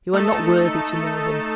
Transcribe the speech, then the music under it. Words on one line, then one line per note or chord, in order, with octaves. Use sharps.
You are not worthy to know him.
A3 D#4 A4